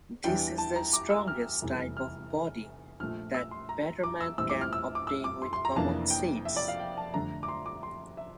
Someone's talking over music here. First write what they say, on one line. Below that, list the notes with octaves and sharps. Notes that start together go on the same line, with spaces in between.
This is the strongest type of body that Betterman can obtain with common seeds.
E2 E3 G3 D4 G5
A5
A#5
D6
E6
F6
F1 E2 E3 G3
F6
A#1 A#2 F3 A3 F6
E6
C6
A#5
D6
E6
A#1 A2 E3 G3 C4 E6
D6
F6
E6
D6
E6
D6
C6
C6
A#5
F1 F2 E3 A#3 D4 A5
G5
E5
D5
F5
G5
A5
F2 D3 A3 D4 A#5
D6
C6
D6
C6
E5